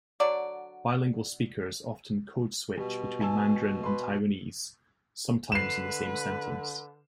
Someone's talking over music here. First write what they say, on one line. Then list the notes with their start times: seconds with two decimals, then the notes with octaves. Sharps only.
Bilingual speakers often code-switch between Mandarin and Taiwanese, sometimes in the same sentence.
0.20 D3 F#3 D5
2.77 B2 G3
3.21 G#5 A5 E6
3.83 B4 C6
5.52 D3 B4 C7 E7